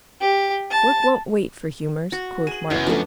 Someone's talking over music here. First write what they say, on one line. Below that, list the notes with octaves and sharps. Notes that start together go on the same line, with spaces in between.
"Work won't wait for humors," quoth Mark.
G4
A5
F#4
G#4 D#7 F#7
F#2 C#3 E3 B3
F3 A3 B3 D4